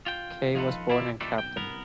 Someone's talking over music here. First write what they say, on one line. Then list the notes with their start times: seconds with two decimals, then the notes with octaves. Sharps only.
Kaye was born in Clapton.
0.06 F4 G5
0.55 F3 D#4 F4 G#4 A4 B4
0.90 E4 F4 A#4 D5 E5
1.21 A#2 D#3 G3 A3 D4 A4
1.38 B1 G5
1.57 C2 B3 A#4